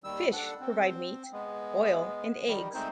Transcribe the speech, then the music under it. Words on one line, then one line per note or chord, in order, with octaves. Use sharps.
Fish provide meat, oil, and eggs.
D#2 D#3 G3 E6
D4 A4 F#5
C4
G#3 B3
D#3 G3
G#3 A3 C4 D#4 C5